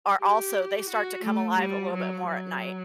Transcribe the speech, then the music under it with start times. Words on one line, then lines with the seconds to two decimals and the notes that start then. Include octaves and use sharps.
are also they start to come alive a little bit more at night.
0.20 G4
0.89 F#4
1.23 A3
1.58 G3
1.93 F#3
2.27 F#3